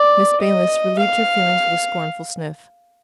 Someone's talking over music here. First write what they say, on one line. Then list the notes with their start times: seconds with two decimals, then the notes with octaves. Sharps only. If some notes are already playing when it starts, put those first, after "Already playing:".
Miss Baylis relieved her feelings with a scornful sniff.
Already playing: D5
0.41 D#5
0.99 F5